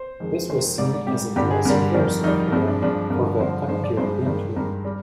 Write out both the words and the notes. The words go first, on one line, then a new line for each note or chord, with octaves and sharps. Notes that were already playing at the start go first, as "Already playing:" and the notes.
This was seen as a dress rehearsal for the upcoming European tour.
Already playing: C5
F2 D#3 G#3
F2 D#3 G#3 C5
G#2 G3 D5
D5
G#2 G3 G4
G2 D3 G3 G4
G#4
G2 D3 G3 A#4
F2 D#3 G3
F2 D#3 G3 D#4
G2 F3 G#3 C4
D4
G2 F3 G#3 D4
G2 D3 F3 A#4
G2 D3 F3 C5
G2 F3 G#3 C5
D5
G2 F3 G#3 C5
G2 D#3 G#3
G2 D#3 G#3 A#4
G3